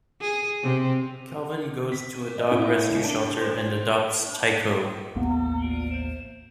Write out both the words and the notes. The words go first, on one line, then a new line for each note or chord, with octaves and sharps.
Calvin goes to a dog rescue shelter and adopts Tyco.
G#4
C3
B6
D#5
A2
C#2
D4
C5
A1 D#2 A#3 B3